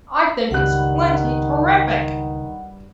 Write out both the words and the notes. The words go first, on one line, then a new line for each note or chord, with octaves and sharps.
I think it's plenty terrific!
C#2 G2 D#3 G3 F#5 B5 F#6